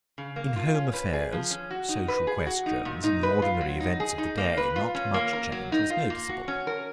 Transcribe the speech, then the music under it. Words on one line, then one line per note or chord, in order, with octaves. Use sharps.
In home affairs, social questions, and the ordinary events of the day not much change was noticeable.
C#3
A#3
F4
C#4
B4
G#4
F3
C#4
F#4
D#4
B4
G#4
F#4
D#4
A#2
D#4
B4
F4
F#3
D#4
G#4
D#4
A#3
B4
F4
C#4
A#3
A#4
F#3
D#4
F4
A#3
F#4
C#4
A#4